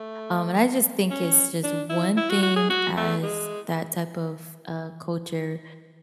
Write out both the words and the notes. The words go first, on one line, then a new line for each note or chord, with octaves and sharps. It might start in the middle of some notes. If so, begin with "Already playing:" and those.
um, and I just think it's just one thing as that type of, uh, culture
Already playing: A3
C#4
D4
E4
E4
F#4
F#4
G#4
F#4
A3
G#3